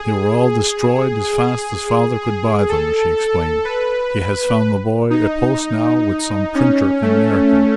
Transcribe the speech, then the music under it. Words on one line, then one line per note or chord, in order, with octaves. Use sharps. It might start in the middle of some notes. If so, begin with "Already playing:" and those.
"They were all destroyed as fast as father could buy them," she explained. "He has found the boy a post now with some printer in America."
Already playing: G#4
G#4
G#4
A4
A4
B4
D#4
C#4
A3